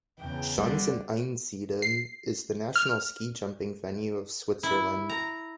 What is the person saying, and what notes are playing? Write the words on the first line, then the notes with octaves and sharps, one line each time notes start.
Schanzen Einsiedeln is the national ski jumping venue of Switzerland.
E2 C#3 G5
D3 G3
C7
F6
E4
A#5